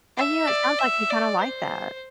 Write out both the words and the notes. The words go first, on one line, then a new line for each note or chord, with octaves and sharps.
And, you know, it sounds like you kinda like that.
E5
D5
E5
D5
C5